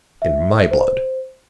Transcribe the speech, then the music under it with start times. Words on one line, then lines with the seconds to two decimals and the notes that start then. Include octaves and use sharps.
In my blood!
0.22 E5
0.71 C5